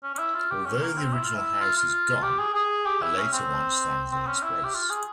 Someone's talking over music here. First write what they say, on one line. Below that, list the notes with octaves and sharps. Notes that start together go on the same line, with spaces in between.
Although the original house is gone, a later one stands in its place.
C#4
C#4
E4
F4
G4
C#4
A#3
C4
E4
F4
E4
F4
F4
F4
G4
G#4
G#4
G4
E4
C#4
C4
C4
C#4
E4
G4
F4
G#4